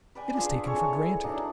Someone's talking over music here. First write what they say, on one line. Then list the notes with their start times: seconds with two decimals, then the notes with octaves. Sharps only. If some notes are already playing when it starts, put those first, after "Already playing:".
It is taken for granted.
0.15 B4 D5 G5 G#5
0.34 D4 F4 G#4 C5
0.63 C4 A4 C#5
0.76 E3
1.23 E3 F#3 D4 D#4